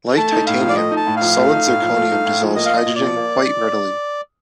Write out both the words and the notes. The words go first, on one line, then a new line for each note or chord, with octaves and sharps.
Like titanium, solid zirconium dissolves hydrogen quite readily.
A3 A5
D#4
A2 F5
F3
D5
A3 D#5
D#4
A5
A2
F3 F5
A3
D#4
A2
F3
A3
D#4
A2
F3
A#3 D#5
F4 F5
D#5
A#2
D5
F3
A#3